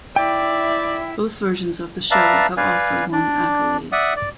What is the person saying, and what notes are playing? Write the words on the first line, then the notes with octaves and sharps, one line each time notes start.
Both versions of the show have also won accolades.
E4 D5 E5 G5
B4 D5 E5 F5 A5 A#5
B4 D5 F5 G#5
D4 D5
D5 E5 F#5 D#6
D5